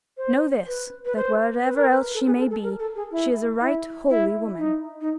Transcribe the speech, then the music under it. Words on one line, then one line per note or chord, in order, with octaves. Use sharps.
Know this, that whatever else she may be, she is a right holy woman.
C5
B4
B4
C5
B4
A#4
B4
A4
G#4
A4
A4
A#4
A4
G#4
E4
E4
E4
D#4
D#4